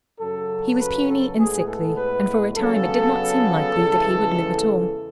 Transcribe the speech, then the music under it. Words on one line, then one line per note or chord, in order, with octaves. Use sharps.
He was puny and sickly, and for a time it did not seem likely that he would live at all.
F#2 C#3 F#3 A4
B4
A4
A2 G#3 B3 G#4
A4
B4
C#3 F#3 B3 A4
E2 C#3 E3 G#3